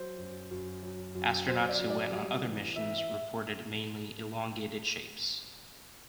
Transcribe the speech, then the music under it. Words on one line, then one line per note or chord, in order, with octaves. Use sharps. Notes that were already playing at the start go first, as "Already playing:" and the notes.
Astronauts who went on other missions reported mainly "elongated shapes".
Already playing: F#3 C5
F#2
F#2
F#3
F#2
F#2 C5
D5
F#3
D5
G3
E3
E3 E5
E5